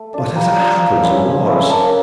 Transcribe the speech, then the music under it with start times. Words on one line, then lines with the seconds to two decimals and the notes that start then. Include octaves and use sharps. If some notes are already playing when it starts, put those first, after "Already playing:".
But as it happens, it was.
Already playing: A3
0.14 D4 F4
0.35 G3 A#5
0.59 D4 F4
0.81 F3
1.03 C#4 E4
1.26 F3
1.47 C#4 E4
1.70 A#3 A5